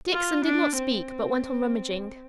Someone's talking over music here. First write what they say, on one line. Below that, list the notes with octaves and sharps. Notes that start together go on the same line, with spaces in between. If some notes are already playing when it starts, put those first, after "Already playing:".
Dixon did not speak, but went on rummaging.
F4
D4
C4